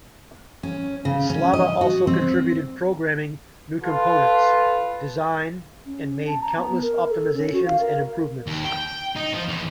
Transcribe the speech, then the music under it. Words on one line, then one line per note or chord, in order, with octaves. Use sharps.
Slava also contributed programming new components, design and made countless optimizations and improvements.
C#4
C#3
C#4
D#5
F#4
C4
F4 A4 B4
C#4
A5
A#5
B3
A#4
A4
C#4
F#4
F5
A#4
D#2
G5
D#4
F3
E2